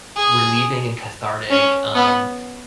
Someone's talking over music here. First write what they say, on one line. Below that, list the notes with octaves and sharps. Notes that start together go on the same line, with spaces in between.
relieving and cathartic, um,
G#4
C#4
B3